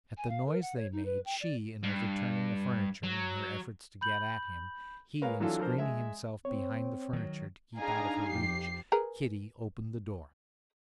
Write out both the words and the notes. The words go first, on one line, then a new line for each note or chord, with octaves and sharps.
At the noise they made, she in overturning the furniture in her efforts to get at him, he in screening himself behind the furniture to keep out of her reach, Kitty opened the door.
G#5
F5
A#4
F#5
C#5
D#4
B4
G5
D5
G2
F#3
B5 G6 F#7
G#3 A#4 B4 C#5 F5
E3 F#3 D4 E4 F4 A4
F3 D4 A#4 C5
G#3 E5
C4 C#5
D#3 F#3
D4 D#4 G#4 F5 G#5 A#5
F2 G4 C7
G#4 A#4 B4